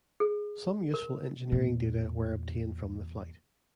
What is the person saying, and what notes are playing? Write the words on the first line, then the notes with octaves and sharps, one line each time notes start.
Some useful engineering data were obtained from the flight.
G#4
A#4
E2 A#2